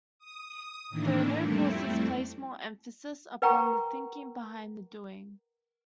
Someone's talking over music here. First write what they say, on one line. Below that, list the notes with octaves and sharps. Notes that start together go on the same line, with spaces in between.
The new courses place more emphasis upon "the thinking behind the doing".
D#6
A2 D#3 E3 A#3 D4 E4
F2 G3 A3 C4 E4
A#4 B4 F#5 G5 A#5 C#6